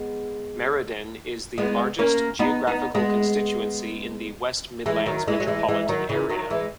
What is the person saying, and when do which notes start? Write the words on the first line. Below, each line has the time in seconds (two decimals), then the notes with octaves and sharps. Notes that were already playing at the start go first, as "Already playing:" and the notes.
Meriden is the largest geographical constituency in the West Midlands metropolitan area.
Already playing: G#3 B3
1.58 G#3 B3
1.99 A#3 C#4
2.39 B3 D#4
2.67 B3 D#4
2.95 G#3 B3
4.86 E3 G#3
5.06 D#3 F#3
5.28 E3 G#3
5.40 F#3
5.47 E3 G#3
5.68 E3 G#3
5.88 D#3 F#3
6.09 C#3 E3
6.30 D#3 F#3
6.50 E3 G#3